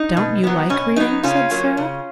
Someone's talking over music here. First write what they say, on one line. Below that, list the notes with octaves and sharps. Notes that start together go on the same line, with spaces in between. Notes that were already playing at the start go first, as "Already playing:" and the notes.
"Don't you like reading?" said Sara.
Already playing: D#4
B2
F#3 B3
B2 C#4
F#3 B3 D#4
C#3 C#4 F4
F#3 A#3
C#3